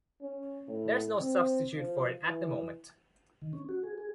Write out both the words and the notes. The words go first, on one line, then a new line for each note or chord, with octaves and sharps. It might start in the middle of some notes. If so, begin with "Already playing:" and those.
There is no substitute for it at the moment.
C#4
A2
C4
F3
E3
D#3
C#4
F#4
G#4
G#4